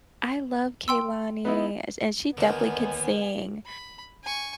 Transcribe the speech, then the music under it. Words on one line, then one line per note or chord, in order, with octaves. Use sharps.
I love Kehlani, a and she definitely could sing.
G5 C6 E6
B3 D#4 E4
D#2 D3 D#3 B3 G#5
B5
G#5 C#6